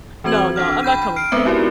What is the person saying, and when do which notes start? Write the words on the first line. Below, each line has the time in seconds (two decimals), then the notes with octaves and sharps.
No, no, I'm not coming for you.
0.24 E3 C4 F#4 C5 G#6 F#7
0.56 D4 A4 F#5 F6
0.83 G5 B5 G6 D#7
1.16 F6 C7 D7
1.32 G#3 B3 C4 B4 C5 E5
1.45 D#4 E4 F#4 G4 A#4 D5